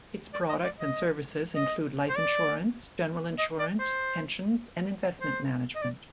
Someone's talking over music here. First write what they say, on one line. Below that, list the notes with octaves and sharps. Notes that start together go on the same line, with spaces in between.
Its products and services include life insurance, general insurance, pensions and investment management.
D5
D#5
D5
D#5
D#5
C5
D5
D#5
D5
C5
C5
D#5
D5